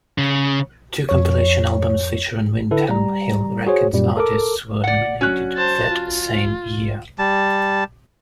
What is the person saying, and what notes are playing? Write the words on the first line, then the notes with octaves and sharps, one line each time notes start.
Two compilation albums featuring Windham Hill Records artists were nominated that same year.
C#3
F2 C#5
D3 E4 A4 B4
G3 A#5
F#4 G#4 C5 C#5
F#2 A#2 G3
A4 A#4 D6
D5 F#5
F#3 C#4 F#6
C5 A5
F4
G3 A5